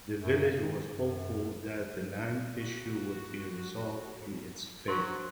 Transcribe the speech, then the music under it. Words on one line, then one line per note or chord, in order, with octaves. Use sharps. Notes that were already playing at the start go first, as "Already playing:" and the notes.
The village was hopeful that the land issue would be resolved in its favour.
F#2
D#3
F#2
F#4
F#3 D4 F#4 C5 C6 C#6